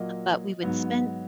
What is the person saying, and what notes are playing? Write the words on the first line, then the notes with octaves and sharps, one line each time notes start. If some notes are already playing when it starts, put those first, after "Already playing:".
but we would spend
Already playing: A#2 F#3 A#3 D#5
G#2 F#3 B3